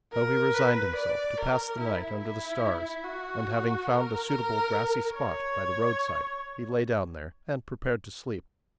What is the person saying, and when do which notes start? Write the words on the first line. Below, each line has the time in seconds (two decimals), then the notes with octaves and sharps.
So he resigned himself to pass the night under the stars; and having found a suitable grassy spot, by the roadside, he lay down there, and prepared to sleep.
0.13 A#4
0.54 B4
0.96 D5
1.38 A#4
1.79 E4
2.21 E4
3.04 F#4
3.88 A#4
5.13 C#5